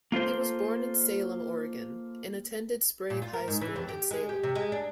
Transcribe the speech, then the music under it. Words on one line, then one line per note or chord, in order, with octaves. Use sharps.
He was born in Salem, Oregon, and attended Sprague High School in Salem.
A#3 F4 A4 C5
A#2
F4
A#4
G#2
E3
F2
G4
G#3
G4
C3
G#3
D4